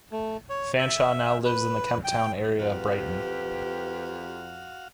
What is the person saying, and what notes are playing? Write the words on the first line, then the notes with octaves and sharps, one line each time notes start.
Fanshawe now lives in the Kemp Town area of Brighton.
A3
C#5
E5
B4
G5
F2 F#4 G4 B4 F5